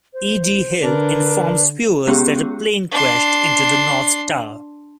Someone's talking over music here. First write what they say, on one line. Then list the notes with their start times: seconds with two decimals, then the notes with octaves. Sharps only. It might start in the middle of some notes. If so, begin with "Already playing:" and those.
E. D. Hill informs viewers that a plane crashed into the North Tower.
0.14 C5
0.83 D3 D4 A#4 B4
2.07 G#3 B3 C#4 G4 G#4
2.92 D4 C6